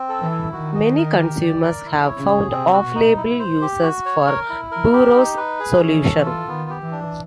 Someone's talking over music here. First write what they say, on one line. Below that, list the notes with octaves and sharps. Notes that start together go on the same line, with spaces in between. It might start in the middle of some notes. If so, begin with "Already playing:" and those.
Many consumers have found off-label uses for Burow's solution.
Already playing: C4
A4
E3
E4
D#3 F#4
D#5
A#4
G4
D5
A#4
E4
C#5
C#3
G#4
C3 C4
F#4
B2
D#4
E4
C5
G4
F#4
C#5
A#4
E4
A#4
G4
D#4
B4
G#4
E3 C#4
A4
E3
F4
D#3 B3
G4
E3
D4